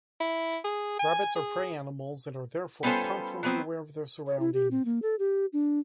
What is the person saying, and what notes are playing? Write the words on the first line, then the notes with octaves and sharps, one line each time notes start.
Rabbits are prey animals and are therefore constantly aware of their surroundings.
E4
G#4
G#5
G#4
G3 B3 C#4 F4 A4 C5
F#3 B3 C4
C#5
E4
G4
C4
A#3
A4
G4
D4